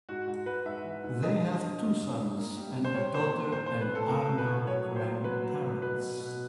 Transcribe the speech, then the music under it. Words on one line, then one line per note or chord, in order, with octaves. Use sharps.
They have two sons and a daughter, and are now Grandparents.
G#2 F#4
G#2
G#2 B4
G#2 E5
E3
G#2
G2 D#5
G2
G2
G2
G2
G2
A#3
G3
G3
C5
G3 C#5
A#2 C5
A#3
A2 C5
A2 C5
B4
A3 A4
A2 A#4
A3
B4
A2
F#3 C#5
F#3
C5
A#3
F#3 B4
F#3
A2
B2 B4
B2
B2